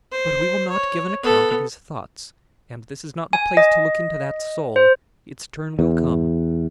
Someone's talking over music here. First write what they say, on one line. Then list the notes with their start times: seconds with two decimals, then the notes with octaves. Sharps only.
But we will not give an account of his thoughts, and this is not the place to look into that soul--its turn will come.
0.12 C5
0.70 C#5
1.23 B3 A4
3.33 G#5
3.57 D#5
4.76 C5
5.79 E2